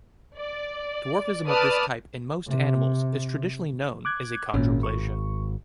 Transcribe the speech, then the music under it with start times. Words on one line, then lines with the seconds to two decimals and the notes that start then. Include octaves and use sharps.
Dwarfism of this type in most animals is traditionally known as achondroplasia.
0.37 D5
1.47 B4 D5 A5 D#6 F6
2.48 C3
4.05 D6 F#6 G#6
4.54 G#1 A#2 C#4
4.83 C#6